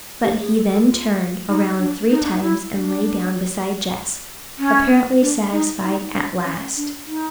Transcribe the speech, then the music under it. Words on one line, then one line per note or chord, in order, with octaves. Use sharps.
But he then turned around three times and lay down beside Jess, apparently satisfied at last.
G4
G#4
A4
A4
F4
D#4
D4
D#4
D4
D#4
E4
D4
C#4
D4
D#4
D#4
D4
C#4
D4
D#4